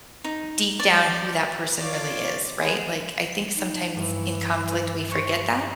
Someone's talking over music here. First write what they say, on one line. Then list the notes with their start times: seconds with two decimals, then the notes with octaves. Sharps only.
deep down who that person really is, right? Like, I think sometimes in conflict we forget that
0.24 D#4
0.80 D5
1.82 F4 C#5 D5
2.59 G#3 B3 G#4
3.55 D#4
3.96 G2 E3
5.11 G4 C5 C#6